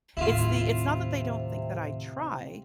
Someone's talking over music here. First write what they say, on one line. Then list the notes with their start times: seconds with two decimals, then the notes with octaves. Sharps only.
it's the it's not that they don't think that I try,
0.17 D#2 A2 C3 E4 F4